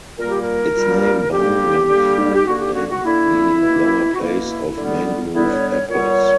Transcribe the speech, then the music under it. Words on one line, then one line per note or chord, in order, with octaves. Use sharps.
Its name "Bang Lamphu Lang" meaning "lower place of mangrove apples".
A#2 G3 A#3 A#4
G4
A#4
A#2 G3 A#3
D3 G3 A#3 G4
D3 G3 A#3
G4
D3 A#3 F#4
G4
F#4
F#4
D3 A#3 E4
B2 A#3
F#4
B2 A#3 E4
D3 G3 B3
D3 G3 B3 E4
B4
C#5
C#5
A#2 G3 B3 C#5